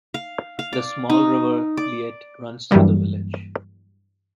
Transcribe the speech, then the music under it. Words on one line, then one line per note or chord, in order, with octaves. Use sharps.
The small river Liette runs through the village.
F5
F5
D5
D#4
D5
G2 E3 F#3 G3 A#3